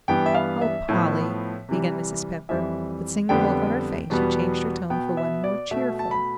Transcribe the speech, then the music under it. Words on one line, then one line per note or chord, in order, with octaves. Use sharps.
"Oh, Polly," began Mrs. Pepper; but seeing the look on her face, she changed her tone for one more cheerful.
G2 E3 G3 B3 G5
E5
F5
E5
A2 F3 B3
C3 E3 G3
F2 E3 G3 E5
F2 D3 G3 B3 G5
E2 B2 G3 B3
B2 B3 G5
E5
D5
B2 A3 E5
A5
B5